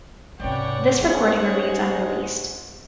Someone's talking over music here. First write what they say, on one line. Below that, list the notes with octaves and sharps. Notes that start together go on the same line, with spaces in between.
This recording remains unreleased.
G#2 C3 C#4 B4 C#5 D5 F#5 G5
G#2 G3 G#3 C4